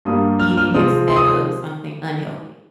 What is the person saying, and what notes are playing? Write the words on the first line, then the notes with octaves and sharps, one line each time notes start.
eating instead of something unhealthy?
G2 G3 A#3 D#6
F6
F6
C3 F3 G#3 D#6
C6
D#6